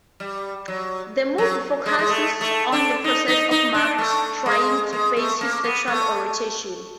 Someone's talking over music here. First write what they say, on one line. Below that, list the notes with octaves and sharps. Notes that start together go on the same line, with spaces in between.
The movie focuses on the process of Mark's trying to face his sexual orientation.
G3
F#3
F#3
G#3
G#3
A3
A3
D4
D#4
D#4
D#4
D4
A3
G#3
G#3
A3
A#3
B3
A3